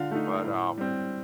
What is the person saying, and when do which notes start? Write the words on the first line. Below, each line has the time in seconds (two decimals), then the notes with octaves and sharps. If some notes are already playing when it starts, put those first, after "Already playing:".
But, um
Already playing: D3 F4 F5
0.11 A3 D#4
0.44 A2
0.78 G3 C4